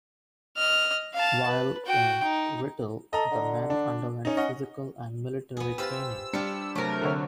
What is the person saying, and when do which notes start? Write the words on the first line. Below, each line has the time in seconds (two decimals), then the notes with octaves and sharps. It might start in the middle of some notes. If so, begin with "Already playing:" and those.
While in Writtle the men underwent physical and military training.
0.57 D#5 F6
1.14 F5 A5
1.47 B4
1.85 F#4 G5
2.24 D#4
3.13 A4 D#5 A#5
3.31 D3
3.70 D4
4.25 C#4 D#4
4.37 C#4 D#5 F#5
5.57 B3 G#4
5.78 F4 G4 C5 B5 E6
6.33 G3 D4 F4 G4 C#7
6.75 C3 F#3 A3 A#4
7.01 D3 C4 C#5